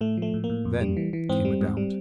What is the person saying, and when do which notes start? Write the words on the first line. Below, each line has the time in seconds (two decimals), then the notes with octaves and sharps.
Then came a doubt.
0.01 A2 A3
0.17 F3 A3
0.34 A2
0.44 A#3
0.50 A2
0.65 F2
0.81 G3
0.97 E3
1.13 E3
1.29 G#2 C4
1.45 G3
1.61 G#2
1.77 G3